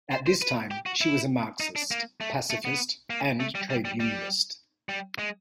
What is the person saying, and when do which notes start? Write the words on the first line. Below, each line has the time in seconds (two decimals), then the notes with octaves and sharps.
At this time, she was a Marxist, pacifist, and trade unionist.
0.12 C5
0.27 C5
0.42 B4
0.71 G4
0.86 F#4
1.01 E4
1.60 D#4
1.76 D4
1.91 A#3
2.21 A3
2.50 A3
2.65 B3
3.10 A#3
3.40 A3
3.55 G3
3.70 G3
3.85 G3
4.00 G3
4.89 G3
5.19 G#3